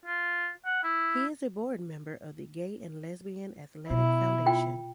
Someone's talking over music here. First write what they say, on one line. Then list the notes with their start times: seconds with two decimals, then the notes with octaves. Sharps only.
He is a board member of the Gay and Lesbian Athletics Foundation.
0.05 F4
0.65 F#5
0.84 E4
3.90 B2 E4
4.46 F4 G5